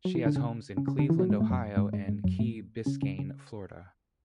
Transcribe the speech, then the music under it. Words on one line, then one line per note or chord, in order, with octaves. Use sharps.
She has homes in Cleveland, Ohio, and Key Biscayne, Florida.
F#3 F#4
E3 E4
D3 D4
C#3 C#4
C#3 C#4
C#3 C#4
D3 D4
E3 E4
F#3 F#4
G#2 G#3
A2 A3
F#2 F#3
G#2 G#3
G#2 G#3
G#2 G#3
F#2 F#3
A2 A3
C#3 C#4
C#3 C#4
C#3 C#4